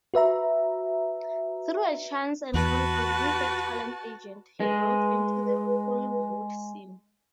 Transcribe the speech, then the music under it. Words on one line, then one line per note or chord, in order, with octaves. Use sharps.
Through a chance encounter with a talent agent, he broke into the Hollywood scene.
F#4 B4 E5 A#5
E2 F#4 B4 A5
G#3 B4